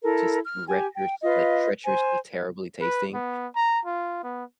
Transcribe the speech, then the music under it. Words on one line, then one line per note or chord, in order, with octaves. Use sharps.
just treacherous, like, treacherously, terribly tasting.
E4 A4 A#4
F6
G4 G5 G#5
G5
F4 B4 D#5 F5
C5 G#5
B4
B3
A#5
F4
B3